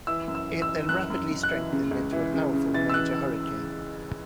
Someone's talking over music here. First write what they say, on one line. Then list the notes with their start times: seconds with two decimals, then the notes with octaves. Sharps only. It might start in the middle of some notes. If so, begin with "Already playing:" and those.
It then rapidly strengthened into a powerful major hurricane.
0.07 E3 E6
0.28 F#2
0.35 E6
0.49 E3
0.62 E6
0.69 E3
0.89 F#2 F#6
1.10 F#2
1.31 F#2
1.43 F#6
1.51 E3
1.72 C#3
1.91 C#2
2.13 E3
2.34 C#3
2.53 C#3
2.74 E3 A6
2.90 E6
2.94 E3 F#6